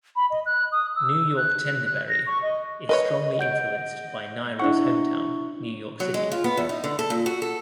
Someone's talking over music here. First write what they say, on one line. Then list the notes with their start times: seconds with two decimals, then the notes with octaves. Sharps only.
"New York Tendaberry" is strongly influenced by Nyro's hometown, New York City.
0.16 B5
0.30 D#5
0.46 F#6
0.72 D#6
0.96 E6
1.37 F#6
1.85 F#6
2.09 A#6
2.26 C#6
2.42 D#5
2.89 A#4 B4 C#5 D#5
3.39 F#5 G6 D7
4.59 D4 E4 F#5 C#6
6.00 F#3
6.14 G#3
6.32 F4
6.44 B3
6.57 E2
6.69 D#4
6.84 D3
6.99 A4
7.10 A#2
7.26 F#4
7.42 A4